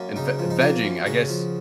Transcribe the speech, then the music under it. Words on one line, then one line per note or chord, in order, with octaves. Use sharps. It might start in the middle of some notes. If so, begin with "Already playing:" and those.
and v vegging, I guess,
Already playing: F#2 A#3
C#3 D#4
F3
D#4
A#3 F4
F#2
C#3 F#4
F3